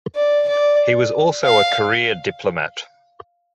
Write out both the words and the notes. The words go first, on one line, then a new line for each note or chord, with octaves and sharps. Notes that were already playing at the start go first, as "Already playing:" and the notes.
He was also a career diplomat.
D5
D5
F5